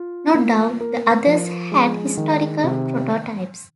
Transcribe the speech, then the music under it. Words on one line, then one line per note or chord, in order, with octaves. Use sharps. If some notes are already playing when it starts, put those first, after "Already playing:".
No doubt the others had historical prototypes.
Already playing: F4
A#3
A#4
F3
G#3
D#3
C3